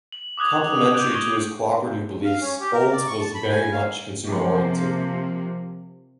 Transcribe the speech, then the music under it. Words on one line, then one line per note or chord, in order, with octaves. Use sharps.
Complementary to his cooperative beliefs, Olds was "very much consumer oriented".
F#7
D6 D#6 F#6 G#6 F7
D6 F#6 G6 D7 F7
C#6 G#6 G7
F5
C#4
G4
A#4
D5
C#6
A5
B5
G#5
F5
C3 F3 A#3